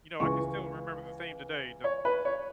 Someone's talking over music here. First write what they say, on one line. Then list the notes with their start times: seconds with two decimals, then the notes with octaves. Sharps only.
you know, I can still remember the theme today.
0.20 C#2 C#3 E3 C#6
1.84 C#5
2.05 B4
2.25 C#5